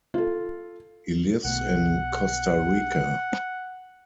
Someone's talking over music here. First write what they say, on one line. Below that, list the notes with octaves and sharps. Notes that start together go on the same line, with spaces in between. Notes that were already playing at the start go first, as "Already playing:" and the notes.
He lives in Costa Rica.
F4 A4
B1 A3 F#5